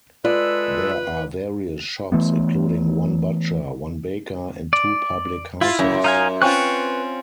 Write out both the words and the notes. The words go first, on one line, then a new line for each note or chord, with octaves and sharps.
There are various shops including one butcher, one baker and two Public Houses.
G#3 F4 A4 B4 D5 E5
E3 A3 B3
D5
E4 F4
F#2
D#4 F5 G#5
C4 C#4 F4 B4 C#6 F#6